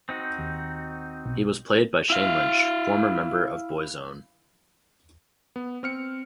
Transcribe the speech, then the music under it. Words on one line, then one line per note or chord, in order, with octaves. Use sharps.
He was played by Shane Lynch, former member of Boyzone.
C4 D#4 F#4
D#2
B1 B2
E4 F5
B3
C4 F6 C#7